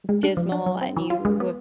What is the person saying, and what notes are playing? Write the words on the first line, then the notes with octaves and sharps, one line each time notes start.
dismal and you
G#3
D4
F3
D4
F#3
C4
E3
F4
G#3
B3